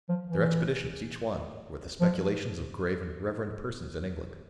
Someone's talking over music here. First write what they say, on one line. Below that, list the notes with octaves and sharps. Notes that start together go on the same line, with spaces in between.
Their expeditions, each one, were the speculations of grave and reverend persons in England.
F3
E3
F3